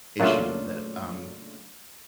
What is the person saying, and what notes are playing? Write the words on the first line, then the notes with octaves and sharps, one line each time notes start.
issue that, um
A#2 C#3 F#3 A3 D4 F4